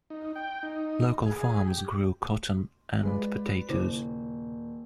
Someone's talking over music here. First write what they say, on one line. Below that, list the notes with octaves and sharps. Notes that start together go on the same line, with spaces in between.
Local farms grew cotton and potatoes.
D#4
G5
D#4
G#4
G4
G#3 F4 B4 D5
D#1 C#3 E4 C5